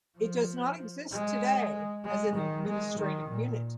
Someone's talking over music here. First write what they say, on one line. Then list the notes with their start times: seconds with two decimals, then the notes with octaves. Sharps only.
It does not exist today as an administrative unit.
0.18 F3
1.12 G#3
2.05 G#3
2.37 D#3
2.68 G#3
2.99 D#3
3.30 A#2